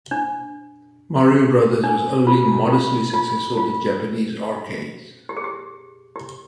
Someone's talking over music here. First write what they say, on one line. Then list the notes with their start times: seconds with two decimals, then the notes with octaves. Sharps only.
"Mario Brothers" was only modestly successful in Japanese arcades.
0.11 D4
1.84 D4
2.27 F4
2.70 F4
3.14 F4
3.57 F4
5.29 G4
5.37 G#4
5.44 G4
6.16 G4